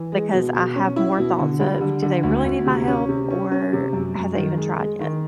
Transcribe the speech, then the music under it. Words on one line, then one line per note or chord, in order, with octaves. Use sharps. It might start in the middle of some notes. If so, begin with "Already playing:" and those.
because I have more thoughts of, "Do they really need my help, or have they even tried yet?"
Already playing: E3
G#3
B2
B2
C#4
E4
B2
D3
G3
D3
D3
D2
D2
C3
C#4
C3
C#4
C#4
C3
F#2
F#2
D#3
G#3
G#3
D#3